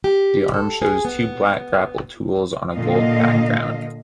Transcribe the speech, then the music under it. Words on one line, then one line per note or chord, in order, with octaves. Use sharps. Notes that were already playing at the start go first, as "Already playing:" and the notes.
The arms show two black grapple tools on a gold background.
G4
A4
G#4
B3
A#2 D3 D#5 F5